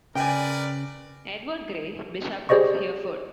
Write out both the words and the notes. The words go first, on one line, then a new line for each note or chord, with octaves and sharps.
Edward Grey, Bishop of Hereford.
C#3 A#4 B4 D5 G5 G#5
G4 G#4 C5 D5 D#5 C#6